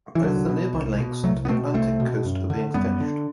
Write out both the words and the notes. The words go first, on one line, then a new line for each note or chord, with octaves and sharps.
Both the nearby lakes and the Atlantic coast are being fished.
E3
C2 D3 F#3
B2
C2
B2
C2 F#3 A3
B3
B2 A3 C4
C2 A3 C4
B2
F#2
D3
F#2 G3 B3
D3